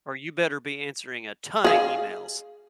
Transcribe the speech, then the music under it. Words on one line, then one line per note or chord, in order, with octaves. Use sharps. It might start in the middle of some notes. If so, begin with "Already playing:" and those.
"Or you better be answering a ton of emails.
G#4 F5